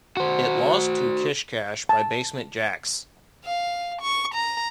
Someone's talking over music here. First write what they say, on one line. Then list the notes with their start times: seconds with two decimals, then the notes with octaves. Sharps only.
It lost to "Kish Kash" by Basement Jaxx.
0.17 F#4 C5
1.89 A5
3.45 F5
4.01 C#6
4.34 A#5